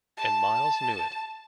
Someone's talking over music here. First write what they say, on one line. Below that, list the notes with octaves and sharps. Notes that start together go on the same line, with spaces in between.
And Miles knew it.
A5